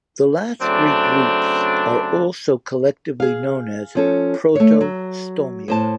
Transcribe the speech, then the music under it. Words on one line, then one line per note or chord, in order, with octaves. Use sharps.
The last three groups are also collectively known as Protostomia.
C#3 F#3 A3 C4 D4
G#4 F5
F3 C#4 A4
A3 C#5
F#3
A2 C5 A5